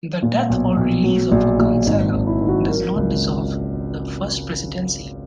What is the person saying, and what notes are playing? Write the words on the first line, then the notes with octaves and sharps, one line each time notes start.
The death or release of a counselor does not dissolve the First Presidency.
A#2
B1
B1
F#3
A#1
A#1
G#1 D#4
G#1
E4
D#3
F#4
F#3 A#4
C#2